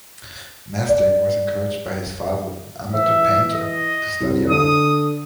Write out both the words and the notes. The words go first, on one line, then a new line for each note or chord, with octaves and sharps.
Mesdag was encouraged by his father, an amateur painter, to study art.
D5
E3 E5
D#5
C2
D3 D#6